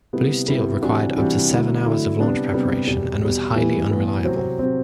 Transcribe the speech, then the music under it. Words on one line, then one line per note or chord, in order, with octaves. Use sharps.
Blue Steel required up to seven hours of launch preparation, and was highly unreliable.
C3 G3 B3 E4
C3 G3 B3 E4
C3 E3 G3 D4 F#4
C3 E3 G3 D4 F#4
D3 F#3 A3 E4
D3 F#3 A3 E4
C3 G3 B3 D4
C3 G3 B3 D4
E2 B2 G3
E2 B2 G3
A2 E3 G3 B3
A2 E3 G3 B3
C3 F#3 C4
C3 F#3 C4